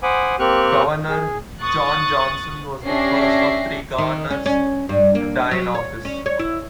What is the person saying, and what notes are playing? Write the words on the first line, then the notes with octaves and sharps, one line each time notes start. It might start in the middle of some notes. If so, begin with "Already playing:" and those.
Governor John Johnson was the first of three governors to die in office.
C5 F#5 G#5 B5 D6 D#6
A#3 C4 G4 C#6 F6 F#6
G#4
C#6 D#6 F#6 A6
C#4 D4 G4 E5 A#6 C7
D#3
C#4
C#4
G2
A#3
F#3
C#5
C#4
C#5
E4